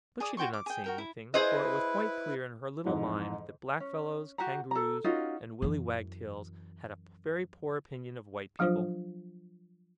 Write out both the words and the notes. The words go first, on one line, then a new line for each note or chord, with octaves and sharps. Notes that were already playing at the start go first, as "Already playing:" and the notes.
But she did not say anything, for it was quite clear in her little mind that Blackfellows, kangaroos, and willy wagtails had a very poor opinion of white people.
G#4 D5 D#6
F#4 G5 C6 C#6
D6
G#4 G5
F#4 A#4 G5
E4
E4 G#4 B4 C5 D#5
F2 G#2 E3
C#4
F#4 G4 F#5 A#5
A4 A#5
C#4 D#4 F4 F#4
F#2 E3
F3 F#3 D4 F4 C5